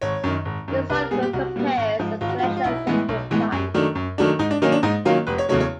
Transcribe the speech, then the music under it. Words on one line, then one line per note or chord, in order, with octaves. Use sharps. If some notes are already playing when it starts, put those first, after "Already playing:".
This article compares a selection of notable clients.
G#1 C#5
F#2 D#3
G#1
F#2 D#3
C2 B4
A#4
A#2 G3 B3 G#4
G4
C2 F#4
A#2 G3 B3
G#1
G#2 F3
G#1 F4
F#4
F4
G#2 F3
F4
B1 E4
A2 E3 G#3 B3
B1
A2 E3 G#3 B3
F#2
D#3 F#3 A3 D4
F#2
D#3 F#3 A3 D4
G#2 D#4
D4
D#3 F#3 A#3 C#4 D#4
D4
G#2 D#4
D#3 F#3 A#3 C#4 F4
F1 B4
C#5
E2 C#3 F#3 A3 C#5
C#5